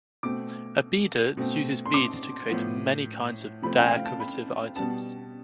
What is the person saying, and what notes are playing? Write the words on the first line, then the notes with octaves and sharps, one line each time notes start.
A beader uses beads to create many kinds of decorative items.
B2 A3 C4 D6
B2 A3 C4
C6
D6
A2 F3 B3
C3 F3 A3 C4 B5
G5
F5
A5
B5
B2 G3 B3 A5